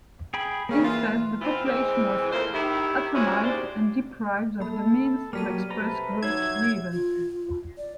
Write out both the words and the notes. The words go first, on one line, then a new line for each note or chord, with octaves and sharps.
Instead, the population was "atomized" and deprived of the means to express group grievances.
G#4 G5 B5
C#3 E3 A#3
F4
E3 C4 E4 F4
E3 G#3 C4
F2 A2 A#3 C5
D#3 E4 G4
F3 G#3 C#4 D4 E4 F#4
D#2 C#3 G#3 G4 C5 D5
A#3 A4 B5
F#3 G3 A#3 F6 B6 D#7
C3 A4 B4 A#5
F#3 D#4 C#5 E5 G#6
F4
D5